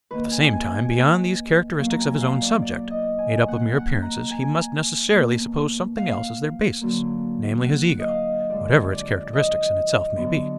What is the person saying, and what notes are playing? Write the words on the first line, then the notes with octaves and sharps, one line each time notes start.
At the same time beyond these characteristics of his own subject, made up of mere appearances, he must necessarily suppose something else as their basis, namely, his ego, whatever its characteristics in itself may be.
D#3 A#3 B4
G#5
G#5
G#5
B2 F#3 A#3 F5
A#5
G#5
F5
D5
D5
D#5
G#5
D#3 A#3 F#5
F#5
A#5
G#5
B2 A#3
F5
D3 F#3 A#3
F#5
D#5
F5
D3 F3 G#3 D5
D5
D#5
D3 F#3 B3